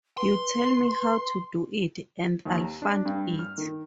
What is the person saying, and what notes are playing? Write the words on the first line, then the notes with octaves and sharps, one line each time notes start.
You tell me how to do it, and I'll fund it.
B4 C6
D#2
A#5
D4
G2
F6
D#3